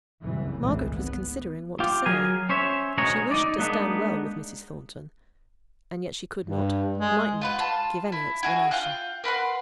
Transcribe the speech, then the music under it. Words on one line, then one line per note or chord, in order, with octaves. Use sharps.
Margaret was considering what to say; she wished to stand well with Mrs. Thornton; and yet she could not, might not, give any explanation.
F#1 C2 E3
G#1 C#2 A2 E3
B3
F4 G4
F#3 G#4 A#4 G#5
C#4 C5 C#5 E5
D2 B2 G#3 G#4 C#5 A#5
D#4 D5
G#3 A#3 B3 D4 D#4
G2
G#3
F4 B4 F#5
F4 A5
E4
E4 F#4 G#4
F4 F5 G5 F#6
A#4 B4 F#5 C6